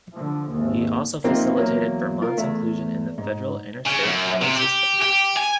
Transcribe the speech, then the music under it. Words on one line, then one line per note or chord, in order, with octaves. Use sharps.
He also facilitated Vermont's inclusion in the federal interstate highway system.
D3 F3
G#1 D#2
F2 C3 A#3 C4 D#4 F4
E2 F#3 A#3
F4 A#4
E2 A3
G#2
C#3
F#2
C3
G4
G4
G#5